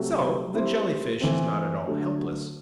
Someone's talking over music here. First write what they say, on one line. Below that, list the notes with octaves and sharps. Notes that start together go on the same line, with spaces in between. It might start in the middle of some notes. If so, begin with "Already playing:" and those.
So the Jelly-fish is not at all helpless.
Already playing: C3 F#3 A3
A3 C4 E4 G4 C5
E3 A3 C4
D3 F#3 A3